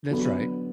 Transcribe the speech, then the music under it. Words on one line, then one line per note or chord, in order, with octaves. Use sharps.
That's right.
D3 F#3 B3